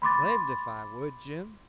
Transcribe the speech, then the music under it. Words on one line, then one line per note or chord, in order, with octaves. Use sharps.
"Blamed if I would, Jim."
B5 C6 D6 A6